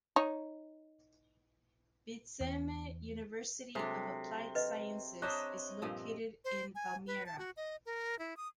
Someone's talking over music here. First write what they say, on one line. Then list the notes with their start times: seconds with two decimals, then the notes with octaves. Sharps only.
Vidzeme University of Applied Sciences is located in Valmiera.
0.16 D#4 C#5
2.41 E2
3.75 C3 F#3 G#3 D4 A4
4.55 B4 D#5
5.22 D4 C5 C#5 D#5 E5 A#5 D#6 F#6
5.82 G2 A#2 F3
6.45 C5
6.75 G#5
7.07 B4
7.26 A5
7.38 F#4
7.57 D#5
7.86 A#4
8.19 E4
8.37 D#6